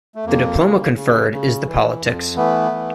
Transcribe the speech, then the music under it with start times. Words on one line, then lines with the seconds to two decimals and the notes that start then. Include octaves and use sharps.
The diploma conferred is the Politics.
0.15 A3
0.25 F2 A#3
0.61 C#3
0.95 C#3
1.31 C#3
1.66 E3
2.01 F2
2.36 E3 A3 B3
2.71 E3